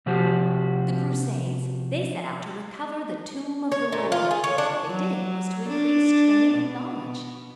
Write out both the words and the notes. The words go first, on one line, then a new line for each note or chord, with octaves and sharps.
The Crusades--they set out to recover the tomb of the Lord!--what they did was to increase trade and knowledge.
C3 F3 F#4 G4 C5
C#5
A#2
F4
G#4
C#5
D4
F#3
D4
B2